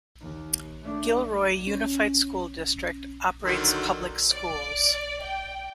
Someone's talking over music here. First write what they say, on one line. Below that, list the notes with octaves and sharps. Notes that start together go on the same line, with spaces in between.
Gilroy Unified School District operates public schools.
D#2
A3 D4
C#4
D3 D#3 F#3 C6 E6 G6
D5
G5